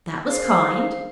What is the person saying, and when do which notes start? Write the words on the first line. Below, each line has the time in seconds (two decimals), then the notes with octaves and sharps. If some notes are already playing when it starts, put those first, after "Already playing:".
"That was kind."
0.24 G#4 A#4 C5 F5